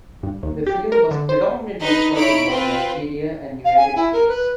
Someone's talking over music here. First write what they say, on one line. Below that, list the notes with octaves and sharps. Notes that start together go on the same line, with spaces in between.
The film was predominantly shot in both Nigeria and United States.
G2
D#2
G4
A#4
D3
C5
D#4 B4 D#5
D#4 E4 C#5 B5 D7
C4 F4 B4
F5
G#5
E4
A#4
B4